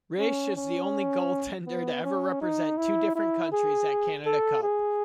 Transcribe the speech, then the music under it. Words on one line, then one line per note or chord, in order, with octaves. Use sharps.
Resch is the only goaltender to ever represent two different countries at Canada Cup.
C#4
C#4
B3
C#4
D#4
E4
E4
G#4
A4
G#4